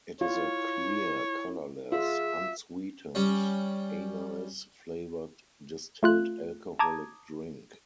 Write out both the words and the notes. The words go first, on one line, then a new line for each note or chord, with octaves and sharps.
It is a clear, colorless, unsweetened anise-flavored distilled alcoholic drink.
E4 F4 C#5
F4 G#4 E5
G3 C#4
A3 F4 F#6
A5 A#5 D6 D#6 G#6